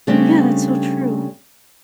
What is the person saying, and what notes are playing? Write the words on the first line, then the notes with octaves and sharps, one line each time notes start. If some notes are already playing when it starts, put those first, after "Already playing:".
Yeah, that's so true.
C#3 G3 A3 C4 D4